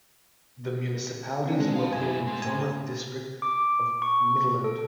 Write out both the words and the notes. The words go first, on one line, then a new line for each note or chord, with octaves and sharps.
The municipality is located in the former District of Mittelland.
C4 D4
G#3
F5 A5
F#2 E4 G#5
G#3 C5
A2 G#5
D6
C#6
A4